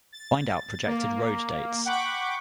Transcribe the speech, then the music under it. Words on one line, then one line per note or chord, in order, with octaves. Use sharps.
Find out projected road dates.
A6
A#3
F#5 G5 B5 C#6 D6